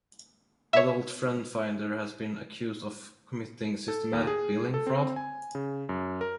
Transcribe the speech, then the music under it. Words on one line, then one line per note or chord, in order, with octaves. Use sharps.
Adult FriendFinder has been accused of committing systematic billing fraud.
C#5 E5
A4
D#2
G#4
A4
C4
G#5
C#3
F#2
A#4